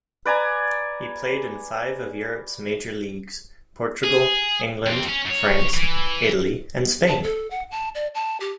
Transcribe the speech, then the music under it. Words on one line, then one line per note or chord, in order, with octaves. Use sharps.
He played in five of Europe's major leagues: Portugal, England, France, Italy and Spain.
B4 D5 G#5 A#5
G#4
F2 C4
C#4
F#2 C#5
E3
A5
A4
F#5
A5
D5
A5
G4